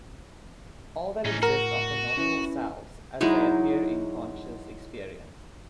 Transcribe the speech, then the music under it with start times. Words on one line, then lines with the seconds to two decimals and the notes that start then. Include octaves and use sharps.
All that exists are phenomenal selves, as they appear in conscious experience.
1.25 A2 C#4 D#4
1.43 F#4 A#4
2.17 C#4 E4 B4
3.21 F#3 G#3 D#4 E4